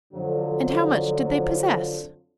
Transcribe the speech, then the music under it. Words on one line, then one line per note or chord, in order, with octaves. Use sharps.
"And how much did they possess?"
F2 D3 F3 F#3